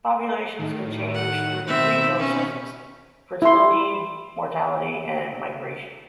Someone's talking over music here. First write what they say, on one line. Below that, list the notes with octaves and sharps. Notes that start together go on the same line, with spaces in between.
Populations can change through three processes: fertility, mortality, and migration.
A2 D#3
F#5
B2 D#3 C4 E5 B5
C#4
E4 C6